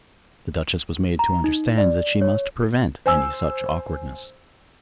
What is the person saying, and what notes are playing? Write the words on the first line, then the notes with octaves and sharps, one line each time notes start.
The Duchess was made to understand that she must prevent any such awkwardness.
A#5
D#4
D5
C#5
C5 G#5 E6